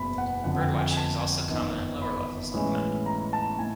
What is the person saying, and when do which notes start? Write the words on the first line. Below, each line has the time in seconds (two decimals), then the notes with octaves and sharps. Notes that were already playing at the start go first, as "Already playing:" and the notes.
Birdwatching is also common at lower levels on the mountain.
Already playing: F#1 E2 B2 B5
0.18 F#5
0.44 F2 D3 F3 F#5
0.61 G5
0.79 G#5
0.91 G#5
0.97 A5
1.49 G1 F#2 D#3
2.01 B5
2.54 A2 E3 G#3 C#4
3.06 A#5
3.33 A5
3.59 A2 G#5